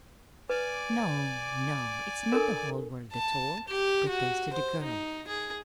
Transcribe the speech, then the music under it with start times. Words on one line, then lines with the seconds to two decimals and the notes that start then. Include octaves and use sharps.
"No, no, it's not the whole world at all," protested the girl.
0.50 B4 D5 G#5 D6
2.32 D4 A4 A#4
3.13 A5
3.68 G4
4.08 F#4
4.53 C5
4.83 D#4
5.27 G#4